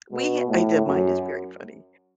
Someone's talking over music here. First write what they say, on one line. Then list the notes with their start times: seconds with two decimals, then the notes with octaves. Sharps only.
we h I the mind is very funny.
0.12 B2
0.48 A2
0.86 F#2